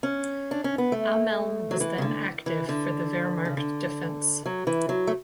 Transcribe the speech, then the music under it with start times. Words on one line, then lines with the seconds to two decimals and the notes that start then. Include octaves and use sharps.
Ameln was then active for the Wehrmacht defense.
0.03 C#4
0.51 D4
0.64 C#4
0.78 B3
0.92 A3
1.71 F#3
1.80 E3
1.98 C#3
2.02 D3
2.46 E3
2.69 D3
3.45 C#3
3.57 D3
4.46 F#3
4.67 E3
4.89 F#3
5.07 A3